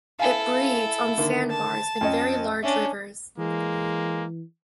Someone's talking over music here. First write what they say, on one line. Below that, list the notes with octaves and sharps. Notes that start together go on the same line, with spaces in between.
It breeds on sandbars in very large rivers.
E4 A4 F5 G#5
D3 D#3 A#3
A5
F2 C#4 D#5
C#4 D4 E5
E3 G#3 A#3